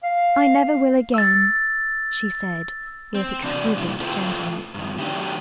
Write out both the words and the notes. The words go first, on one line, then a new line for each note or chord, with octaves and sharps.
"I never will again," she said with exquisite gentleness.
F5
E6 A6
C4
E2 C3 D4 F#4 D5
A#2 G3 A#3 C4 E4 G4
A2 F4 A4 B4 C5 G5
G2 D#3
D#3 F#3 A3 D4 G4